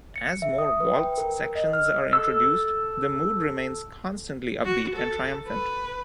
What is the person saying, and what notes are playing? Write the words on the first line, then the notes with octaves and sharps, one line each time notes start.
As more waltz sections are introduced, the mood remains constantly upbeat and triumphant.
C#7
E5
D#6
B4
G5
A#4
A#4
D#5
F6
E6
A4 E6
F#4
A4
B4